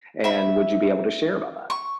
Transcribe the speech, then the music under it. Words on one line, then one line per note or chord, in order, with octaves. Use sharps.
And would you be able to share about that?
E5 B5
C#6